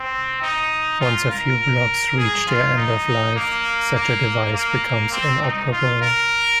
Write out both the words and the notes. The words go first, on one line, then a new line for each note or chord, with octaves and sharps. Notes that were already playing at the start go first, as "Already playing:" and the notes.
Once a few blocks reach their end of life, such a device becomes inoperable.
Already playing: C4
D#4
F4
A#4
G#4
F4
D#4
A#3
A#3
A#3
C4
D#4
F4
A#4